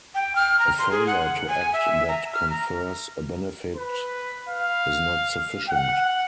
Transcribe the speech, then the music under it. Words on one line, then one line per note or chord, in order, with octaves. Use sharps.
A failure to act that confers a benefit is not sufficient.
G5
F6
A#5
C6
G#4
F#5
G#5
E5
A#5
F6
A#5
B4
F5
F#5